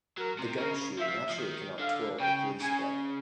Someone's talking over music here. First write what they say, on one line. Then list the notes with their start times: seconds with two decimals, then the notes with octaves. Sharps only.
The gumshoe naturally cannot twirl a police club.
0.18 F#3 A#4
0.39 C3
0.58 C#3 A#4
0.99 F3 E5
1.09 F3
1.29 F3
1.39 D#3
1.79 D3 F5
2.20 C#3 G5
2.61 C#3 G#5